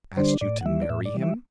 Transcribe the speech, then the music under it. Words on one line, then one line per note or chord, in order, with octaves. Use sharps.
"Asked you to marry him?"
D3 G3 D4 C5
A2 D5
F#5
E3 G3 E5
D5
A2 E5
D5
E3 G3
E5